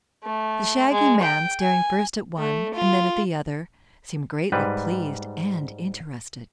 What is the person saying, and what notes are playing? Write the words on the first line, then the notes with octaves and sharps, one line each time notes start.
The Shaggy Man, staring first at one and then at the other, seemed greatly pleased and interested.
A3
G#3
G5
G#5
A3
F4
G#2 G3 B4